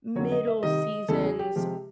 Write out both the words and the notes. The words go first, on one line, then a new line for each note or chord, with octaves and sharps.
middle seasons
F2 D3 F#3 C#5
D#5
E5
C3 D#3 G3 D#5
E2 C#3 E3 G#3 A4
G#4
G4
C3 F3 G#3 G4